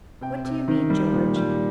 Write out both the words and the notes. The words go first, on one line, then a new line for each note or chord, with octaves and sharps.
"What do you mean, George?"
C3 G5
C3
D#3
G3
A#2
G3